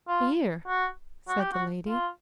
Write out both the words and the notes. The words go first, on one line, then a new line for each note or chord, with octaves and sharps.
"Here," said the lady.
F4
F#4
F#4
G4
F#4
F4